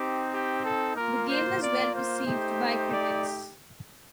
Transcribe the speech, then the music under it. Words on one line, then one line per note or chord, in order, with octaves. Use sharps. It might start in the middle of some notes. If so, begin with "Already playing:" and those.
The game was well received by critics.
Already playing: C4 D#4 G4
G4
A4
A#3 F4 A#4
C5
D5
C5
A3 D#4 G4
D5